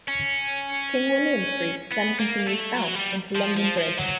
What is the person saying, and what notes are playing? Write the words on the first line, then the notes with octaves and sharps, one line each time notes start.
King William Street then continues south into London Bridge.
C#4
B3
A#3
A3
F#3
G3
F3
F3
F3
F#3